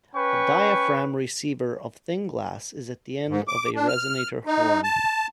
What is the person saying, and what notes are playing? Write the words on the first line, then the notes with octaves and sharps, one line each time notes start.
A diaphragm receiver of thin glass is at the end of a resonator horn.
C#4 B4 G5 C#6
G#2
D6
D4
F6
D#4
A5